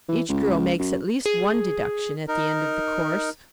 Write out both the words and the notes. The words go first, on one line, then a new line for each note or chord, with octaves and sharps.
Each girl makes at least one deduction at the end of the course.
E3
C#2
F#2
G#4
D#4 A#4